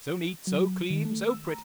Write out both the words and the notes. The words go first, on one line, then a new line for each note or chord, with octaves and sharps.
So neat, so clean, so pretty!
F#3
D#3
A3
E6
A#5